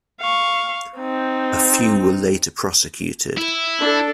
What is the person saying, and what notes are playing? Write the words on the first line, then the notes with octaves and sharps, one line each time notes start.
A few were later prosecuted.
F5 C#6
C4 D#4
E4
D4 A4